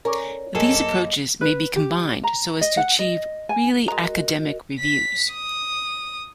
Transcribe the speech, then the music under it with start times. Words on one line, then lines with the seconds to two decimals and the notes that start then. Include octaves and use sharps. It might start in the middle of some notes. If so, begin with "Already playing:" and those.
These approaches may be combined so as to achieve really academic reviews.
0.05 C#4 A#4 C#5 D5
0.55 F#2 A#3 G#4 A4 D#5
1.41 B4
1.76 G4
2.24 A#5
2.61 D#5
2.77 F#5
2.99 D#5
3.49 G#5
3.88 G#3 F#4 A#4 D#5 A#5
4.79 B6
5.33 D#6